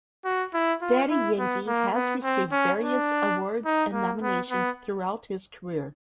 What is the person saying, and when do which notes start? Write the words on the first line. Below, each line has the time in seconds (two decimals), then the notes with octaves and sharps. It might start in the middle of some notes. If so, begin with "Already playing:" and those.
Daddy Yankee has received various awards and nominations throughout his career.
0.25 F#4
0.54 E4
0.82 F4
1.10 E4
1.39 B3
1.67 A#3
1.95 B3
2.24 C4
2.52 C#4
2.80 D4
3.65 D#4
3.93 A#3
4.22 B3
4.50 B3